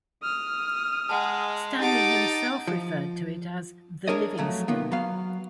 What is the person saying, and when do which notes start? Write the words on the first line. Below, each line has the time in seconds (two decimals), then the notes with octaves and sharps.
Stanley himself referred to it as the Livingstone.
0.23 D#6 F6
1.09 G#3 F#5 A5
1.80 D#4 G4 F#5 A5 D6 A6
2.68 F3
4.08 D4 G#4 A#4 C#5 D#5
4.38 F2 F#3 A3
4.68 D#3 A#3 B3 F4
4.91 F#3 B3 F5